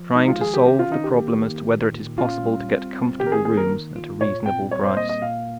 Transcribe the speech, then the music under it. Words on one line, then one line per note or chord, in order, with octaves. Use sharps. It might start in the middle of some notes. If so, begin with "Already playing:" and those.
"Trying to solve the problem as to whether it is possible to get comfortable rooms at a reasonable price."
Already playing: F3
G#3 D#4
F4
D#3 G#4
G4
C#4 G4
F4
D#3 D#4
G4
A#3
D#3
A#2
A#2
C#4 F4
G3
C4
C4
D#3 G4
A#4
G#4
A#3 G#4
A#4
D#3
F4
A#2 C#5
C4 G5
G3 C#5
C5
A#3 D#5
D#5
A#2 F5